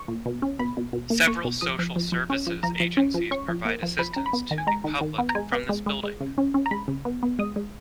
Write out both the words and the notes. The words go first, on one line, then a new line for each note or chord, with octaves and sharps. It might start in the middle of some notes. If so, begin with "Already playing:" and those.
Several social services agencies provide assistance to the public from this building.
Already playing: C#6
A#2
B2
C#4
B2 B5
B2
B2
A#3
A#3 C#6
B2
F3 D#6
F3
F3
F3
C#4
F3
F3 A#5
F3
C#4
F3
C#4 C#6
F3
A#3
F3
F3 B5
C#4 A#5
B5
B3
D#3
G#5
G#3 A#5
D#3
D#3
B3
A#5
G#3 G#5
B3
G#3
G#3
G#3
C#3
C#4
C#4
A#5
G#3 B5
C#3
B3
B3
G#3 D#6
G#3